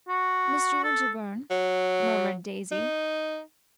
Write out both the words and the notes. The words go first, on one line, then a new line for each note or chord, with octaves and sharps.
"Mr. Winterbourne!" murmured Daisy.
F#4
A4
F#3
D#4